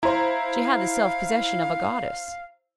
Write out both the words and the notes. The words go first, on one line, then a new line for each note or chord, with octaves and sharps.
She had the self-possession of a goddess.
E4 C5 F5 A#5